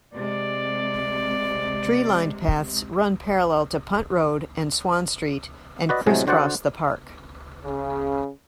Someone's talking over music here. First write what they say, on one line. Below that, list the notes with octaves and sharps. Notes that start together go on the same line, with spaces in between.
Tree-lined paths run parallel to Punt Road and Swan Street, and criss-cross the park.
C3 G#3 D5
F#4 B4 D5 D#5
A2 C3 F#3 G#3 A3 G#5
D3 F#4 C5 D5 F#5
C#3